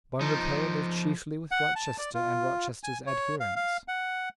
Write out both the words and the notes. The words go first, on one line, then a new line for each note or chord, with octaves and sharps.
Bonrepaux lived chiefly with Rochester and Rochester's adherents.
F3 D#4
F#5
A5
D5
F4
G#5
C#5
F5
F5
F#5